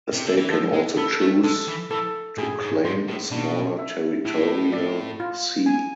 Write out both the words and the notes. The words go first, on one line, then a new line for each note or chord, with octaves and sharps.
A state can also choose to claim a smaller territorial sea.
C3
D3
E3
F3 A4
G#3
B3 A4
A3
G#3 A4
E3
E3 A4
A2 G#4
G#2
G#2 C6
A2
B2 D4
E5
A2 E4
D5
F4
G#5